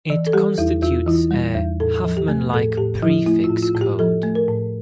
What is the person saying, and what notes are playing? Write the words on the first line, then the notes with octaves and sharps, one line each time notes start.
It constitutes a Huffman-like prefix code.
E3 D5
A4
G3 G4
E2 E4
E2 F4
E3 E4
G3
E2
A2 A4
F3
G4
A3
A2 A4
A2 G4
F3 E4
A3 E4
F4
A2
F4
A2
G4
F3 A4
A3
A#4
A2